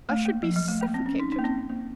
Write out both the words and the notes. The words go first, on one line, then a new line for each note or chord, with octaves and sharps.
I should be suffocated.
A3
A#3
F3
F#3
A3
A#3
C4
C#4
D#4
D#4
A#3
C4
A#3